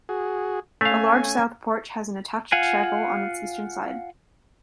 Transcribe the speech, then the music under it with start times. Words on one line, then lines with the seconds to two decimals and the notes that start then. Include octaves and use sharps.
A large south porch has an attached chapel on its eastern side.
0.09 F#4 G#4
0.81 A3 C#4 F5 G#5
2.52 F4 F5 F#5 G#5